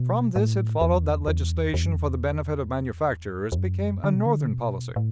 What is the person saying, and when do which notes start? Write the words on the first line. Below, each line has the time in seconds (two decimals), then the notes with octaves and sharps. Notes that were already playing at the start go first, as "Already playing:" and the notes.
From this it followed that legislation for the benefit of manufacturers became a Northern policy.
Already playing: B2
0.36 A2
0.81 E2
1.28 E2
1.74 E2
1.84 F#2
1.95 E2
3.52 E2
3.58 F#2
4.04 D3
4.15 B2
4.26 D3
4.50 B2
4.96 A2